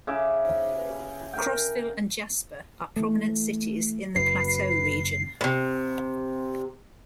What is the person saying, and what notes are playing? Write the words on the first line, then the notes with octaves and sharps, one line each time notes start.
Crossville and Jasper are prominent cities in the Plateau region.
C#3 E5 D6
A#4 G5
E3 A3
F#1 F#2 B4 C7
A2 C3